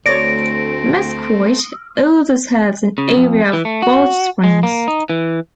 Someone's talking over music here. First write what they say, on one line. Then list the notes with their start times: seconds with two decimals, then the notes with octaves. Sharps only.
Mesquite also serves an area of Balch Springs.
0.06 D2 A3 C4 C#5 D5 A#6 D7
2.98 C#3
3.17 F2
3.53 E3
3.65 A3
3.82 F#4
4.44 G#3
4.63 A#3
4.88 D#4
5.09 E3